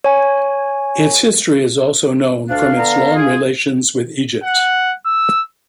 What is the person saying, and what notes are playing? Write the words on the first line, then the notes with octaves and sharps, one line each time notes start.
Its history is also known from its long relations with Egypt.
C#5 G#5
D2 D4 F5
D3 B3 A#5
F4 G#4
F#5
E6